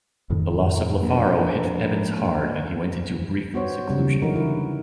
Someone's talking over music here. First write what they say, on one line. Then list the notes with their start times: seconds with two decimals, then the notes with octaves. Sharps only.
The loss of LaFaro hit Evans hard, and he went into a brief seclusion.
0.30 F2 A2 D#3
1.02 A#1
3.54 B3 F#4 C5 C#5
3.89 C#3 G3
4.22 D3 E3 F#3 D#4 F#4 A#4
4.36 E4